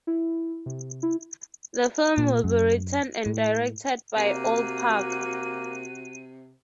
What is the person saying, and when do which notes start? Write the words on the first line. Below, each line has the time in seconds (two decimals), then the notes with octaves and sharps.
The film will be written and directed by Ol Parker.
0.07 E4
0.66 C3
1.03 E4
2.18 A#2
2.44 F#2
3.26 A2
4.16 C3 A#3 F#4 D#7